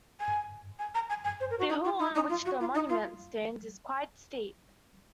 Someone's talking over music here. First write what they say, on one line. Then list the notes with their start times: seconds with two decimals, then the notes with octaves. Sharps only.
The hill on which the monument stands is quite steep.
0.20 G#5
0.79 G#5
0.95 A#5
1.10 G#5
1.24 G#5
1.40 C5
1.50 A#4
1.59 F#4
1.70 D#4
1.84 F4
1.99 D#4
2.15 D#4
2.30 F4
2.45 F#4
2.60 F4
2.75 D#4
2.89 F4